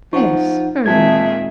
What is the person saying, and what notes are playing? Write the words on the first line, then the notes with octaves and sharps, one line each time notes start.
'Yes, very like.
F3 D#4 F#5 C#6
A#2 D#3 G#3 C4 G#4 E5 A5 G#6